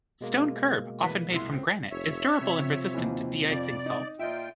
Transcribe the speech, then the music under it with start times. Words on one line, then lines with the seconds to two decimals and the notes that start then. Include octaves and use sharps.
Stone curb, often made from granite, is durable and resistant to de-icing salt.
0.21 B2 G#3 A#3
1.03 E3 B4 B6
1.32 C2 E4 C6
1.53 C#2 C#3 C4
1.91 F1 C#5 E5
2.41 C3 F3
2.94 D#2 E3
3.49 F2 D5
3.86 D#4 D#6
4.19 A#2 F4 D#5 E5 G5